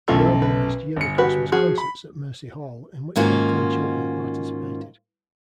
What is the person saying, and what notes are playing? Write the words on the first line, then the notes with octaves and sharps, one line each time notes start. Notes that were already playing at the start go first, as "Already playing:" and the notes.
They organized yearly Christmas concerts at Mercy Hall in which their ten children participated.
B1 F#2 E3 A3 F4 A4
B4
G1 C#7
F#4 G4 B4
F3 F#4 G#4
B5
G#2 D#3 A#3 C#4 F4 F#4